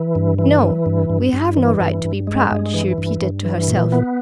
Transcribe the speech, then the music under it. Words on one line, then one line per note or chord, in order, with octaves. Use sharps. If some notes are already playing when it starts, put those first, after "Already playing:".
"No, we have no right to be proud," she repeated to herself.
Already playing: E3
G2
E3
E3
G2
G2
G2
E3
G2
G2
G#3
G2
E3
G2
G2
E3
A#2
B3